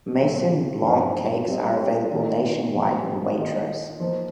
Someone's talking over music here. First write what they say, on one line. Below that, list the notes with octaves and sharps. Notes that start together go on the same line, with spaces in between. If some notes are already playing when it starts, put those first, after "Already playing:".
Maison Blanc cakes are available nationwide in Waitrose.
A#2 F3 C4
G2 F3 D#4 C5 F5
G3 C4 G4 D#5
D#3 A#3 D#4
A#2 F3 C4
D#3 A#3 F4 D#5
F3 A#3 D#4 C5